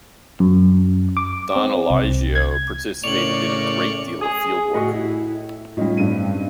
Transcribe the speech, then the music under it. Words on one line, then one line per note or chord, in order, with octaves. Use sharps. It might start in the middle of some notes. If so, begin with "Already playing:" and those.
Don Elijio participated in a great deal of field work.
F#2
D6
C4
C2
G#6
A2 C#3 C#4 A#4 D5 C#6 F7 F#7
G#4
A2 F#4 G4 D#5
E4
A2 G3 C#4 D#4 F4
G2 C4 D#7